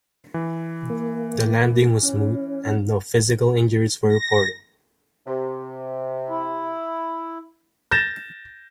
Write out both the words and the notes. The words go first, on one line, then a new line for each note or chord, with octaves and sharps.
The landing was smooth and no physical injuries were reported.
E3
A#3
C#4
A#6
C3
E4
G6 A6 A#6 E7